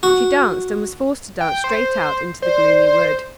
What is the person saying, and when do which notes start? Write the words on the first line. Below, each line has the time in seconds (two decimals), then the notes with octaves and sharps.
She danced, and was forced to dance straight out into the gloomy wood.
0.03 F#4
1.41 G5
1.64 C5
2.42 C5 D5